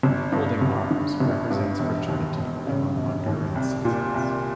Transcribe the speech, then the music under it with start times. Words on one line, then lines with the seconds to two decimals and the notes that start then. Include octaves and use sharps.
Holding arms represent fraternity among Honduran citizens.
0.03 G1
0.32 G2
0.61 G1
0.91 D3
1.20 G1
1.50 G2
1.80 E1
2.08 D#2
2.38 E1
2.67 C#3
2.96 E1
3.26 D#2
3.55 C2
3.85 A#2
4.14 C2